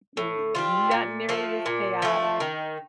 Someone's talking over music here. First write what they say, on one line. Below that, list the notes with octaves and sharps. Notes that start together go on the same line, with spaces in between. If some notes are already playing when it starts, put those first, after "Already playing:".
D not nearly as chaotic.
A2
G3 C4 F4
A#2
F3 A3
A#2
F3 A3
D#3